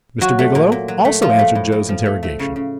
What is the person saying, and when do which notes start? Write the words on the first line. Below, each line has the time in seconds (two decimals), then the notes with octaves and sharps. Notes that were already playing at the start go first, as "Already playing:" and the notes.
Mr. Biggielow also answered Joe's interrogation.
0.21 F#3 F#4
0.39 A3
0.55 A#2
0.72 A#2
0.88 F#3
1.05 A3
1.22 F3 F4
1.39 A3
1.55 A2
1.72 A2
1.89 F3
2.06 A3
2.23 A3
2.39 C#3
2.56 C#3